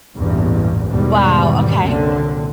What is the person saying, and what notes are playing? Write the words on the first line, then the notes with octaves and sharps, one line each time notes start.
Wow, okay.
A1 E2 G2 A#2
E2 G#2 B2 D#3 G3
C2 F#2 A#2 D3 C4